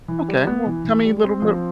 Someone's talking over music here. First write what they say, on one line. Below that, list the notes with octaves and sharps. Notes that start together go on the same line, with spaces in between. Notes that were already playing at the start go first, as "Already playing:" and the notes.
Okay. Well, tell me a little bit
E3
G3
B3
E3
E3
G3
C4
F3